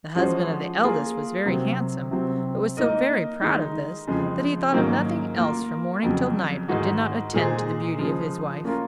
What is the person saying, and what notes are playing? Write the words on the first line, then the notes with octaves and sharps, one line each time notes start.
The husband of the eldest was very handsome; but was so very proud of this, that he thought of nothing else from morning till night, and did not attend to the beauty of his wife.
F3 G#3 C#4 F#4 C5
A#3 F4 G#4
C3 F#3 C4
C3 F#3 C4
A#3 D#4 A#4 D#5
D#3 G#3 D#4
F2 C#3 F3 G#3
G#2 D#3 F#3 A#3 C#4
A#3 F4 A#4
F2 C#3 F#3
G#2 D#3 G#3 D#4 F#4
A#2 G#3 D#4 G#4 C5
C#3 F3 G#3
A#3 C#4 F4 A#4